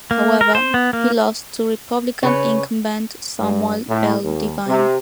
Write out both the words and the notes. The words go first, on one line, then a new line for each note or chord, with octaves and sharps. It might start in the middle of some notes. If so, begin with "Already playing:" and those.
However, he lost to Republican incumbent Samuel L. Devine.
A#3
A#4
C5
B3
A#3
C#3 B4 C#5
G2
A2
D#2
C3